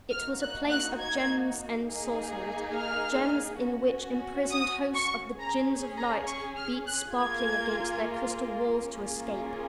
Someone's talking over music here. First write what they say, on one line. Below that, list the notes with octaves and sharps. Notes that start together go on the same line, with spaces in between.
It was a place of gems ensorcelled, gems in which imprisoned hosts of the Jinns of Light beat sparkling against their crystal walls to escape.
A#3 D#4 F#4 F6
F#6
F#6
G#6
A#3 D#4 G#4
F6
C#4 F#4
D#6
C#6
C#4 G#4 A#5
A#5
C#6
F6
F#6
A#3 F4 G#4 G#6
A#3 C#4 F4 G#4